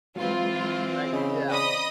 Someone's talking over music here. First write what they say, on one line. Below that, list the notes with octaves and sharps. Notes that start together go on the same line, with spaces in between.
Right, yeah.
E3 F#3 G#3 C4 F4 B4
C#3 D#5 B5
C5 D5 D#5 B5 D#6